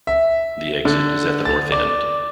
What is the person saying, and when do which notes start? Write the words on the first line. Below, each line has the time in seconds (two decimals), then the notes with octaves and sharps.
The exit is at the north end.
0.07 E5
0.85 D3
1.45 A6
1.72 D5